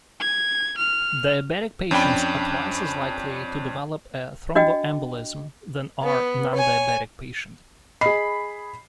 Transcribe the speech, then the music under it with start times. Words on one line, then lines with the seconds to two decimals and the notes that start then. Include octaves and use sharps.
Diabetic patients are twice as likely to develop a thromboembolism than are non-diabetic patient.
0.20 G#6
0.78 F6
1.91 F2 C#4 D4 G5 B5
4.55 D4 F#4 D#5 G5
6.03 B3
6.55 C#5 G#5
8.01 G#4 D#5 B5 C7